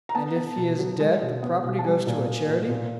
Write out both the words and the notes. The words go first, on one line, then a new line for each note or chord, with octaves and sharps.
"And if he is dead the property goes to a charity."
A#5
B3 A5
B3
B2
F#3
G#3
B2
B3
B2
A5
G3 G#5
A#2
A#2
A#2
A#2